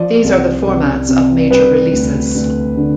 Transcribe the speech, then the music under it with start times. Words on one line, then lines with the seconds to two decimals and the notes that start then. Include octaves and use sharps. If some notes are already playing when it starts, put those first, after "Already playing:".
These are the formats of major releases.
Already playing: F3 D5
0.24 C2
0.67 C2
1.09 C3
1.50 G3 B4
1.93 D2
2.35 D2
2.77 D3